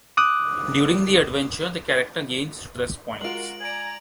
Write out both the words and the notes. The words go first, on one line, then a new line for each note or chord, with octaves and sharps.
During the adventure, the character gains stress points.
D6 D#6 F#6
G#3 F4 F#4 A#4 D7 F#7
D5 G#5 A#5 D7 F#7